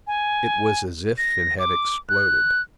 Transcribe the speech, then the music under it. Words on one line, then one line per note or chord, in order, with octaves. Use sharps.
It was as if it had exploded.
G#5
A#6
D6
F#6